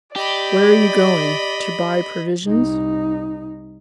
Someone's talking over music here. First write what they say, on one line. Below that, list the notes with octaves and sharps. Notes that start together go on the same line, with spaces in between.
"Where are you going--to buy provisions?"
G4 D5 D#5 B5
C2 D#4